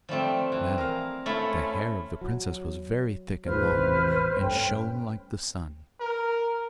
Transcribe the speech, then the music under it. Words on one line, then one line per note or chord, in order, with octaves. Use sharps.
Now the hair of the princess was very thick and long, and shone like the sun.
F3 G3 A3 C4
E3
A#4 F5
A3 C#4 E4 F4
F#3
G#2 C#3 F3 B4 C5 F6
A1 E2 C3
G2 A3 C#4 G5
A#4